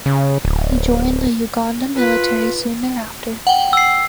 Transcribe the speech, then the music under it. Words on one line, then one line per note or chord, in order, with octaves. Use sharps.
He joined the Uganda Military soon thereafter.
C#3
D1
F4 B4
F#5 G5
E6 C7